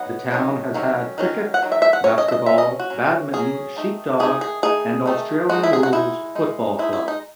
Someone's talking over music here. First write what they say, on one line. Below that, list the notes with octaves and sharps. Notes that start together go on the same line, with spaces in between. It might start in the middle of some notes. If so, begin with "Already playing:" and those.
The town has had cricket, basketball, badminton, sheep dog and Australian rules football clubs.
Already playing: F#3 B3 D#4 F#5
D#3 F#3 C#4
D#3 F#3 C#4
D#3 F#3 C#4
F#5
D#3 F#3
E5
E5
F#5
F#3 C#4 C#5
D#5
E5
D#5
F#3 C#4 E5
D#5
F#4
F#3 C#4
F#3 C#4 G#4
D#3 A3 D#4
D#3 A3 D#4 G#4
G#4
D#3 A3 D#4 G#4
D#3 A3 D#4
G#3 D#4 F#4
E4
G#4
F#4
G#3 D#4 E4
G#3 D#4
G#3 D#4 E4
E4
D#4